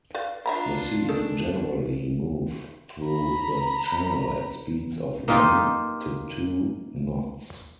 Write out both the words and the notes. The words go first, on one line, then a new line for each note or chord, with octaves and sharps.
The seas generally move through the channel at speeds of one to two knots.
B4 D5 F5
D4 F4 E5 A#5 B5
D#3 D4 G#4 A4
A#5 B5
A#3 D#4 F4 G4